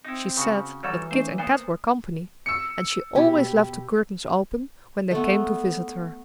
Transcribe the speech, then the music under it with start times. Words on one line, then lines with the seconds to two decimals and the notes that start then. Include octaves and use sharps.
She said that Kit and Kat were company, and she always left the curtains open when they came to visit her.
0.05 C4 D#4 E4
0.37 C#3 F#4
0.83 E3 F#3 G3 A4 C#5 F#5 A#5
1.11 A3 C#4 D#4 C5
1.38 A#3 B3 C5 G#5
2.46 E6 C#7
3.15 B2 G4 G#5 B5
5.11 A3 B3